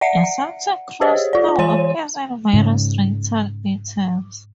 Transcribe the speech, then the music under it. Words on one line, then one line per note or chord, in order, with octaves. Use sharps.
The Celtic cross now appears in various retail items.
D5 E5 F#5 C7 C#7
F#5
G4 G#4 C5 C#5 D#5
F4 D5
E3 C#5 G#5 C6 D#7
G#2 C#3